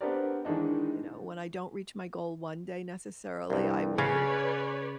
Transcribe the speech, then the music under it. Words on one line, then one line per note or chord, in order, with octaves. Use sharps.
you know, when I don't reach my goal one day necessarily, I will
B3 C4 D4 G4 A#4 D5
D#3 E3 G#3 D4 D#4
C2 G2
C#3 C#4 B4 C#5 D5